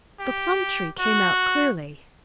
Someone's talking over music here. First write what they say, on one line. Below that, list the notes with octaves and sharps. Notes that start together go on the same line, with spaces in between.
The plum tree came out clearly.
G4
F#4